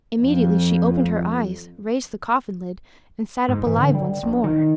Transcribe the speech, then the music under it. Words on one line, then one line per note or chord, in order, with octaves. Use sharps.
Immediately she opened her eyes, raised the coffin-lid, and sat up alive once more.
F2
G#2
E3
D3
G3
A#1
D#3